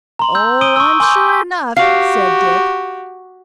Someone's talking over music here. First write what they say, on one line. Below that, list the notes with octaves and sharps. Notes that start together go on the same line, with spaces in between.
"Oh, I'm sure enough," said Dick.
A#5 C6 F#7
E6 G6
D#6 D7 D#7 G7
C#6 E6
G#5 C6 D6 G6
F#4 G4 F5